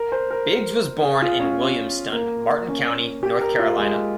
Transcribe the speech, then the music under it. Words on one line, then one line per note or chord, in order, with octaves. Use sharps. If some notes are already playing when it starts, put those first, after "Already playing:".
Biggs was born in Williamston, Martin County, North Carolina.
Already playing: A#4
C5
A#4
G#4
F4
C#4
A#3
C#4
G4
A#4
F4
G#3